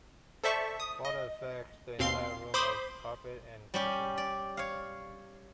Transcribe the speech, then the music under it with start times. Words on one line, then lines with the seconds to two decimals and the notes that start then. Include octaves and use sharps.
Water affects the entire room of carpet and cushion.
0.44 A4 C5 D5 E5 A5 C#6
0.80 D#6
1.05 D#5
1.99 D#2 B2 C4 F5 C6 C7
2.54 C5 B5 C6 D6 D#6
3.74 G3 C#4 G4
4.17 D5
4.57 C#5 F5